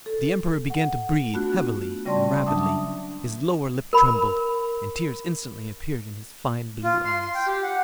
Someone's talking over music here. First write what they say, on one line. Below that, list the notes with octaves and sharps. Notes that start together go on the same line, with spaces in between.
The Emperor began to breathe heavily and rapidly, his lower lip trembled, and tears instantly appeared in his fine blue eyes.
A4
F#5
A3 B3 D4 F4 F#4
C#3 G3 C#4 D5 A5 C6
F#3 D4 E5 A5 D6 D#6
A#4 B5
F4
C6
C6
G5
G4
F#5